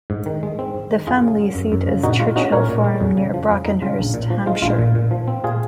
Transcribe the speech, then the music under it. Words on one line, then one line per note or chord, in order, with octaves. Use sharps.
The family seat is Church Hill Farm, near Brockenhurst, Hampshire.
G#2
D#3
G#3
C4
G#2
D#3
F#2 F4 G#4
C#3
F#3
F#2
F#2
C#3
A#2 D#4 F#4
G#3 F4
C#4 D#4 F#4
A#2 A#4 C#5
A#2
G#3
F2
C#3
F3
F2
F2 D#4
C#3 F4
A#1
A#2
F3
G#3 F4
A#1 F4
A#2
A#2
F3
C4
A#2 F4 G#4